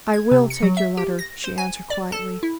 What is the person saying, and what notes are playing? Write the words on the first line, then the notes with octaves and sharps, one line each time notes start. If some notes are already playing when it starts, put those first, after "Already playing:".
"I will take your letter," she answered, quietly.
G#6
C3
C#7
F#3
E5
G4
A#6
C5
G#5
D5
A4
E4